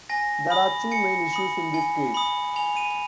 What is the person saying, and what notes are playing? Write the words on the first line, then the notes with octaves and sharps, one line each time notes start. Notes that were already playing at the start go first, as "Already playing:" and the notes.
There are two main issues in this case.
G#5 A#6
B5 D#6
G#5 C#7
B5 D#6
G#5
B5 D#6
G#5 F7
D#7